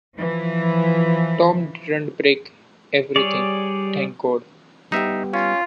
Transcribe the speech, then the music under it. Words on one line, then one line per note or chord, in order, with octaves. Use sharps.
Tom didn't break everything, thank God.
E3 F3
G3 G#4 C#5 D5
G3 B3 D#4 G4 E5
C#4 F4